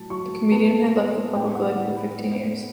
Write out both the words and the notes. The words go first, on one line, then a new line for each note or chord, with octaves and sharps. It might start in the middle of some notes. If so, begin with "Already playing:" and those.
The comedian had left the public life for fifteen years.
Already playing: A2 F#3 A5
F#3 C#6
B3 A5
B3
A2 G5
F#5
A2 F#5
B5
B3